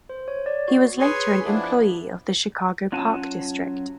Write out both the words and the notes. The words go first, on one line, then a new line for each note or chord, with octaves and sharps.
He was later an employee of the Chicago Park District.
C5
C#5
D5
F#4
G#4 B4 C#5 G#5 C6
F3 B3 D4 E4
F#3 C#4 F4 F#5 G#5 A5